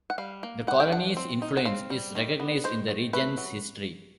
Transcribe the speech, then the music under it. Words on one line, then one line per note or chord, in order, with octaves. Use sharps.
The Colony's influence is recognized in the region's history.
F#5
G3 F5
A#3
G3 F#5
G5
D4 F#5
C4
D#4
F#5
C4 F5
G3
D#3
B3
D#3 C5
D#3
A3 B4
F#3